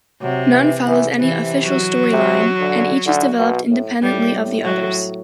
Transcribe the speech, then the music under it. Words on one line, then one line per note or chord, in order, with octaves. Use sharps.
None follows any "official storyline," and each is developed independently of the others.
C3 F#3
E3
E3
C3 E3
F#3
C3
D3
D3
B2
A2
A2 G3
F#3